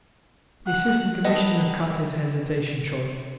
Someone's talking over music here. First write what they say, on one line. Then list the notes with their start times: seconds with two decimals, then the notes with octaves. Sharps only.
The Assistant Commissioner cut his hesitation short.
0.66 F#5
1.24 D#3 B3 A4 B4 D#5